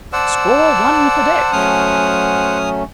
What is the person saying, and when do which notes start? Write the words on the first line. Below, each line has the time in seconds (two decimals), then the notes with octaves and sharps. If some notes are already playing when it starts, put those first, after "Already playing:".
Score one for Dick.
0.13 C5 D5 F#5 A5 E6
1.53 F#3 A3 C#4 G#5 D#6 F6